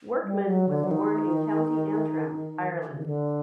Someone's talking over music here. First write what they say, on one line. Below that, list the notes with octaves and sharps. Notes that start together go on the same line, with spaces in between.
Workman was born in County Antrim, Ireland.
G3
F#3
D3
F#3
D#3
D3
D#3
D3